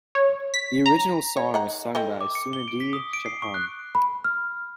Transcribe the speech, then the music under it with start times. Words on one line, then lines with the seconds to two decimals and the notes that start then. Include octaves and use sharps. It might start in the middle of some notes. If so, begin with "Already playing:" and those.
The original song was sung by Sunidhi Chauhan.
0.15 C#5
0.54 B6
0.86 A#5
1.37 C#5
1.54 D#3 F#5 A#5
1.95 C4 A4 D#5
2.21 D6
2.35 C#7
2.53 G7
2.68 D7
2.80 B6
2.93 D#6
3.13 D7
3.26 C7
3.42 C#6
3.54 F#6
3.95 B5
4.24 F6